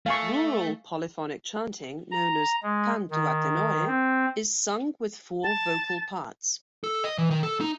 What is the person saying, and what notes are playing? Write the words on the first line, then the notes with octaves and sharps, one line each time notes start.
Rural polyphonic chanting known as "cantu a tenore" is sung with four vocal parts.
A3 F5 G#5 C#6
A#5
G#3
D#3
C4
A5
A4
D#5
E3
D#3
A4
D#4